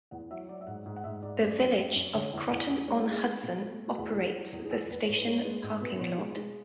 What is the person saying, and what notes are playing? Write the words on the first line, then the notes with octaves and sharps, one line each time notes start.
The Village of Croton-on-Hudson operates the station parking lot.
E2 F#5
F#3 E5
F#3 D5
E5
G#2 F#5
G#2
F#5
G#2 E5
G#2 D5
F#2 D5
F#2
F#2
F#2
D3 C#5
E2
E2
E2
G#3 C#5
A4
G#3
G#4
G#3
B2
A3
A3
F#4
E2 G#4
A4
E2 G#4
F#3
E2
G#4
E2 A4
E2 B4
C#5
G#2
B4
G#3 C#5
G#3 B4
G#2
B2 B4
B2 C#5
G#3
G#3